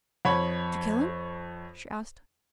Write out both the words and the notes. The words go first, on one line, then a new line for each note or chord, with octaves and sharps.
"Did you kill him?" she asked.
F2 C#5 B5